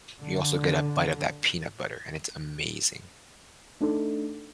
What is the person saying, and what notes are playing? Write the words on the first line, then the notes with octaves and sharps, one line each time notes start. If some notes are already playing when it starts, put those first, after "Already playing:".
you also get a bite of that peanut butter, and it's amazing.
D3
A3 D4 D#4 A4